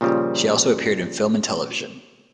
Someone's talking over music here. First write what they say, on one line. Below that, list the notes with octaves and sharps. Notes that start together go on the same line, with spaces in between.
She also appeared in film and television.
A#2 C#3 F3 G3